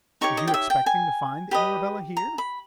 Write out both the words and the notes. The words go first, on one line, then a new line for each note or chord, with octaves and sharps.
"Was you expecting to find the Arabella here?"
D#4 G4 C#5 C#6
D#5
G5
E5
G5
G#5
G4 B4 D#5
A#5
B5